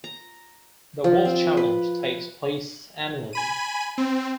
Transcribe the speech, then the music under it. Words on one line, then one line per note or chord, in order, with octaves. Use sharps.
The Wolf Challenge takes place annually.
A#5
F3
C4
B4
G#5 B5 D#7
C4